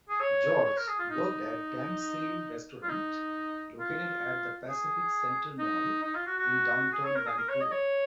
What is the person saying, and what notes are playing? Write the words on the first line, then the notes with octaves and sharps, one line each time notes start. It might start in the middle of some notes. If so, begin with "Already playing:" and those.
George worked at Dempsey's Restaurant located at the Pacific Centre Mall in Downtown Vancouver.
G#4
C#5
C#5
A#4
G#4
F4
D#4
F4
D#4
F4
G#4
D#4
D#4
F4
F#4
F#4
G#4
C#5
A#4
G#4
A#4
C#5
D#5
C#5